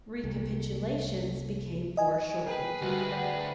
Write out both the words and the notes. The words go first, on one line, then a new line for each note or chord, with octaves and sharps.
Recapitulations became foreshortened.
C2 A3 A#3
D#5 G#5
G#4 A#4 B4 G5
D2 G3 F#4 G4
D5 F#5 G5